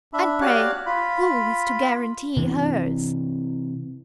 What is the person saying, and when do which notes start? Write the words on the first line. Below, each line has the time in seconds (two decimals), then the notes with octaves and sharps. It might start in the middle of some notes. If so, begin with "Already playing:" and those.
"And pray who is to guarantee hers?"
0.13 D4 E5 B5
0.41 F#4 G4 C#5 D5 F5 F#6
0.86 F4 B5
2.37 C3 E3